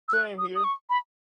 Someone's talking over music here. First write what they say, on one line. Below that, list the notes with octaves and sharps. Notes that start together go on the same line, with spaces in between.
Same here.
E6
F#6
D#6
D#6
C#6
B5